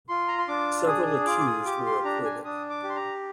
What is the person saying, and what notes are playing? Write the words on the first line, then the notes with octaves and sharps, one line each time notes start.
Several accused were acquitted.
F4 C6
A#5
C6
D4 D6
G#4 D#6
D#6
F4 D6
D6
D#6
G4 D6
C6
D4 A#5
G#5
D4 D#6
D6
G4
C6
A#5